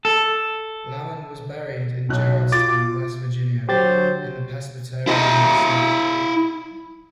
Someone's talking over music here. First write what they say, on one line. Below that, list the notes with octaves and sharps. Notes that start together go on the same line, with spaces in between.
Lamon was buried in Gerrardstown, West Virginia, in the Presbyterian Cemetery.
A4
B1 F#6
F4 D6 A6
D3 F#3 G4 C5 A6
E4 D#5